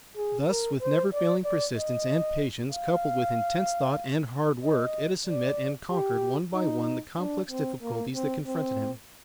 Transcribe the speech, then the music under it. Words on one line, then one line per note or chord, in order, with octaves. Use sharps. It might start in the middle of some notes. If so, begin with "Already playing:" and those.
Thus, with never-failing persistence and patience, coupled with intense thought and hard work, Edison met and conquered, one by one, the complex difficulties that confronted him.
G#4
A#4
C5
D5
D5
D#5
F5
D#5
D5
G4
D#4
D4
C4
A#3
C4
C4